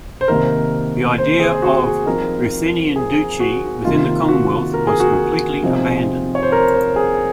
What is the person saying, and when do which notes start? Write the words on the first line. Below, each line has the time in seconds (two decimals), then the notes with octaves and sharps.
The idea of a Ruthenian Duchy within the Commonwealth was completely abandoned.
0.21 C5
0.28 C3 D#3 A#3 D#4 A#4
1.18 C5
1.40 G#4
1.62 F#4
1.84 G#4
2.06 F3 C4 D#4 A#4
2.96 G#4
3.40 F#4
3.84 C3 D#3 A#3 D#4 F4
4.28 F#4
4.74 A#4
4.87 G#4
5.00 F#4
5.13 G#4
5.63 C3 F3 C4 D#4
6.35 C#5
6.43 C5
6.52 A#4
6.74 C5
6.96 G#4